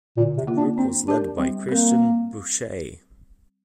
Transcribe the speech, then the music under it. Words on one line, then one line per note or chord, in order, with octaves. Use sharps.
The group was led by Christian Bouchet.
A#2 D3
C3
A#3 F4
D4
C4 D4
D4 G4 A#4
G3 C4
A#3 C4 A#4